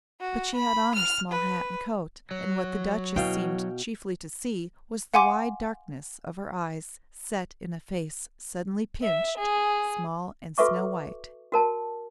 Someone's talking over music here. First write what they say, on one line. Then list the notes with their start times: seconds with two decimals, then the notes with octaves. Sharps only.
But she had on her small hat and coat and what the Duchess seemed chiefly to see was the wide darkness of her eyes set in a face suddenly pinched, small and snow white.
0.21 F#4
0.55 B5
0.95 F6
1.31 B4
2.31 F#3
3.16 B2 E4 F5 G5
5.14 F5 F#5 G#5 C6 D6
9.03 E5
9.37 G#4
10.58 F#4 A4 B4 E5 C#6 D6
11.52 F#4 A#4 A5